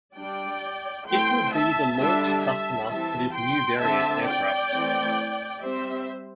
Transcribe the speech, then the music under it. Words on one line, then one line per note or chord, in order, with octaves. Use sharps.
It will be the launch customer for this new variant aircraft.
G3 D4 D5 G5
E3 A3 C4 G5 C6
E5 A5
D3 G3 D4 E5 A5
E5 A5
E3 G3 C4 E5 A5
G5 C6
D3 C4 E5 A5
D5 G5
E3 A3 C4
G3 C4 C5 E5